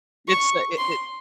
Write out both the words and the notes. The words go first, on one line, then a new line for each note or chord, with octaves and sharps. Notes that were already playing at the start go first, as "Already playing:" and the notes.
it's, uh, it it
C#6
C6